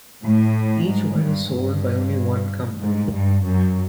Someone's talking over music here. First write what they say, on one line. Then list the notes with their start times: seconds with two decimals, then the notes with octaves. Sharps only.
Each wine is sold by only one company.
0.23 A2
0.87 G#2
1.20 G2
1.51 G2
2.81 G#2
3.13 G2
3.45 F#2